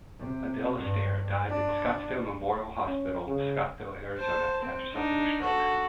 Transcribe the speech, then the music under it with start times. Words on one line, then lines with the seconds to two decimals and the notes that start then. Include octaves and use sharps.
Adele Astaire died in Scottsdale Memorial Hospital, Scottsdale, Arizona, after suffering a stroke.
0.19 C3
0.78 G2
1.48 D4
2.87 C#4
3.27 C#3
4.17 C5 A5
4.62 C4
4.93 D4 D#4
5.40 F#4 A4